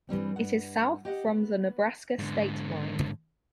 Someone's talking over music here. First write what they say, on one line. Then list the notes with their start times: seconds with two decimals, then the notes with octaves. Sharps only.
It is south from the Nebraska state line.
0.09 G2 E3 G3 C4
0.36 G2 F#5
1.05 G4 D#5 F#5
1.27 B3
2.19 G#2 D3